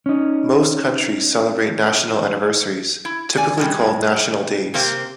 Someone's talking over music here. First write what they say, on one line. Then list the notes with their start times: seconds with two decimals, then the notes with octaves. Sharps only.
Most countries celebrate national anniversaries, typically called national days.
0.06 C#4 D#4
3.05 E4
3.37 D5 G#5
3.57 C3 G3 G#3
4.74 C3 A#3 C4 G4